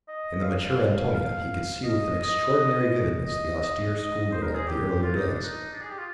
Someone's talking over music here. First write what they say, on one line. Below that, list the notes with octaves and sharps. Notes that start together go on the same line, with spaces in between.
In the mature Antonia he could see with an extraordinary vividness the austere schoolgirl of the earlier days.
D#5
F5
F5
F5
F5
D#5
D#5
D#5
D#5
D#5
C5
A#4
G#4
G4
F4
D#4
D4
D#4
D4
G#4
G4
F4